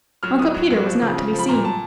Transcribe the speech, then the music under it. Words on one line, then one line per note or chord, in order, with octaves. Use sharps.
Uncle Peter was not to be seen.
F#3 F6
A2 D#6
F#3
F#3
F3
C#3
C#3
F3
B5
A#2 A#5
A#2 A5